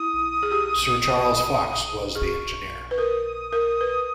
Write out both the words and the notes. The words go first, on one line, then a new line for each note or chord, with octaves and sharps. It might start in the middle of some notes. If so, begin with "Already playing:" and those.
Sir Charles Fox was the engineer.
Already playing: E4 D#6
G#4
G4
G#4 C#6
B4
A#4 D#6
A#4
B4